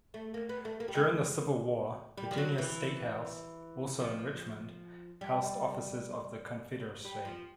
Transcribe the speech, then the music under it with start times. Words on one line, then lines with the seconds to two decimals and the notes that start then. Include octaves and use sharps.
During the Civil War, Virginia's statehouse, also in Richmond, housed offices of the Confederacy.
0.14 A3
0.34 A#3
0.49 B3
0.65 A3
0.80 A#3
0.88 G3
0.95 G#3
2.17 G3
2.31 F3
2.38 F#3
2.58 E3
4.00 F3
5.21 G3
7.05 G3
7.25 F3